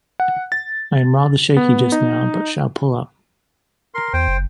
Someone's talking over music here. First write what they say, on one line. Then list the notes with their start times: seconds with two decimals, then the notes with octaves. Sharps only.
I am rather shaky just now, but shall pull up.
0.20 F#5
0.52 A6
1.57 B3
1.92 D#4
3.95 A#4 C6
4.13 E2 C5 G5
4.28 F#1